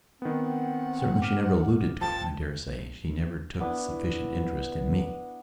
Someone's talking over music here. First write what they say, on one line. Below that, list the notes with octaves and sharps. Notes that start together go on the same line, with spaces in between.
Certainly she never alluded to it; I dare say she never took sufficient interest in me.
D#3 B3 C4 F#5
D6 F6
F3 G5 A5
B3 D4 E4 B4